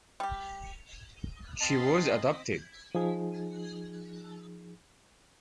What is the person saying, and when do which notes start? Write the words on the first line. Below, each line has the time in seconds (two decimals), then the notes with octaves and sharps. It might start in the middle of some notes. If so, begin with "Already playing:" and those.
She was adopted.
0.20 G3 G4
1.61 C4 D#5 F5 A5 B5 C6 D#6
2.95 F3 D#4 G#4